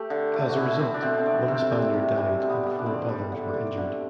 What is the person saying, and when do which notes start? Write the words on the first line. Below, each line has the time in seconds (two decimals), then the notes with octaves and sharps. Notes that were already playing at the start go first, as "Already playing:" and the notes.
As a result, one Spaniard died and four others were injured.
Already playing: A3 G4
0.10 D3
0.34 A3
0.49 F#4
0.56 B2 E4
0.79 A3 C4
0.94 D4
1.02 B2 C4
1.18 C4
1.26 A3 D4
1.48 C3 C4
1.72 E3 G3
1.94 C3
2.17 E3 G3
2.40 B2 C4
2.49 B3
2.63 G3 B3
2.79 D4
2.86 B2 C4
3.09 G3
3.32 D3
3.54 G3
3.77 D3